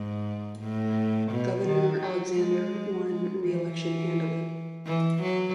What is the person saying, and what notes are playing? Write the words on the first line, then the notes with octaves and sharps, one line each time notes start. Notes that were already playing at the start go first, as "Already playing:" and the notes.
Governor Alexander won re-election handily.
Already playing: G#2
A2
B2
D#3
F#3
G#3
G#3
E3
E3
F#3